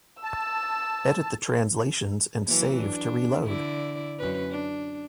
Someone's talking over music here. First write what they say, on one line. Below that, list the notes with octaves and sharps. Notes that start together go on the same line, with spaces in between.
Edit the translations and save to reload!
A5 E6
E3 F#3 A#3
D4
D3 E4 D5
F#2 C#4 B4
D4